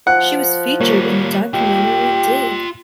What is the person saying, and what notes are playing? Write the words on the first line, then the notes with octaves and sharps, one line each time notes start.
She was featured in the documentary Dig!
F3 F#5
G3 A#3 F4 C#5
F4 G4 D#5